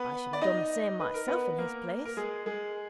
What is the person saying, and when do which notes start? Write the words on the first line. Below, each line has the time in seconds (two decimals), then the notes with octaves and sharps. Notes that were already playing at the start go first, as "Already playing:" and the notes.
I should have done the same myself in his place.'
Already playing: B3 B4
0.33 D5
0.41 D#4 D#5
1.00 B4
1.14 A#4
1.28 B3 B4
1.58 A#3 A#4
2.05 A#4
2.17 G#3 G#4
2.46 G#3 G#4